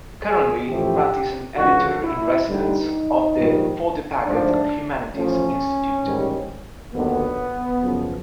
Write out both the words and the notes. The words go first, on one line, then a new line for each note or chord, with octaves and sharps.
Currently, Grant is an Editor-in-Residence of the for the Packard Humanities Institute.
G#4
A1 A2 F3 A3 G4
C#2 C#3 F3 F#4
E4
G2 D3 G3 D#4
A#1 G#2 D#3 G3
G#2 F3 A3 D4
A1 A2 F3 C#4
A1 G#2 D#3 G3
D#2 D3 F#3 B3
F#2 C#3 F3